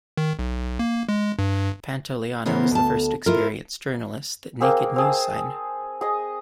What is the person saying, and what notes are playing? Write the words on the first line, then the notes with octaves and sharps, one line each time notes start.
Pantoliano was the first experienced journalist that "Naked News" signed.
D#3
B1
A#3
G#3
G2
C#3 E3 B3 A#4 C5 C#5
D2 A5
E4 F4 A#4
A#3 C4 G#4
C4 G#4 A5
G#4 D#5